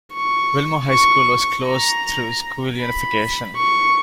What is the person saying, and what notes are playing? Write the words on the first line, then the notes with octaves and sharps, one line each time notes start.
Wilmore High School was closed through school unification.
C#6
C#6
A#5
B5
C#6